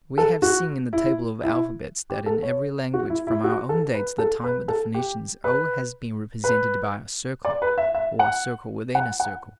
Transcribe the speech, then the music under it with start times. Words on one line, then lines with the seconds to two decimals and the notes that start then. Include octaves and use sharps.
We have seen in the table of alphabets that in every language, from our own day to the time of the Phoenicians, o has been represented by a circle or a circle within a circle.
0.18 A4
0.42 F#4
0.93 E4
1.43 E4
2.10 G4
2.26 A4
2.43 C#5
2.94 F#4
3.10 E4
3.27 E4
3.44 F#4
3.69 A4
3.94 B4
4.18 A4
4.44 B4
4.68 A4
4.94 G4
5.44 B4
6.44 B4
7.45 D5
7.62 B4
7.78 E5
7.95 E5
8.19 F#5
8.95 F#5
9.20 F#5